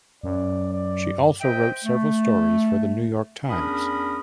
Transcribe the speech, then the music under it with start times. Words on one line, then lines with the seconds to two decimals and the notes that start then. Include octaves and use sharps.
She also wrote several stories for "The New York Times".
0.23 F#2 D5
0.73 D5
1.41 C5 D#5 E5 G5
1.84 A3
3.49 E2 C#4 D4 A#4 B5 D#6